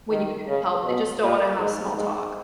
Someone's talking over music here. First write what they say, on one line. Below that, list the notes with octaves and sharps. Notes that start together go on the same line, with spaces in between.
when you need help, they just don't wanna have small talk.
D#3
C#3
B2
A#2
G#2
G#2